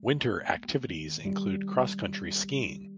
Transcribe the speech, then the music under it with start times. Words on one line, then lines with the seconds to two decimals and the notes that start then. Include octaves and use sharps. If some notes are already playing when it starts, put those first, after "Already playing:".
Winter activities include cross-country skiing.
Already playing: G#3
0.15 B3
0.52 A#3
0.88 D#3
1.25 G3